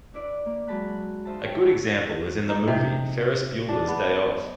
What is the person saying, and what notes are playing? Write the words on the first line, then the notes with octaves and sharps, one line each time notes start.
A good example is in the movie "Ferris Bueller's Day Off".
D4 E4 B4 D5
A#3
F#3 G#3 A5 B5 F#6
D#4 F4 C5 E5 A5
C#5 G5
F2 C#5 E5 F#5 A5 B5
D#4
C3
D4
B3